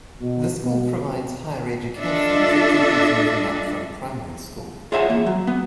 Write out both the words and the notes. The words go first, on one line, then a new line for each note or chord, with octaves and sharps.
The school provides higher education for puplis moving up from primary school.
B2
B2
D4 F4 A4 D#5 E5
F4 G#4 C#5 E5 F#5 G#5
E2 A#3
F#3
B3